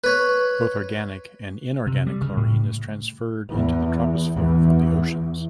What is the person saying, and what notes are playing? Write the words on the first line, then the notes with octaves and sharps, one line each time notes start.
Both organic and inorganic chlorine is transferred into the troposphere from the oceans.
B4 C#5
C3
G3
C#3
A2
E2
E2